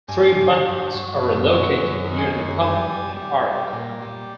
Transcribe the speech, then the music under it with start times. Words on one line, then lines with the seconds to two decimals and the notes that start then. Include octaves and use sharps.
Three buttons are located near the thumb in an arc.
0.08 G2 G#5
0.37 G2
0.65 G2
0.92 F#3
1.21 F#2
1.49 F#3
1.76 F#2
2.05 D#3
2.18 G#5
2.33 F#2
2.61 G3 G#5
2.89 G3
3.17 G3
3.45 G3
3.73 A#2
4.01 G3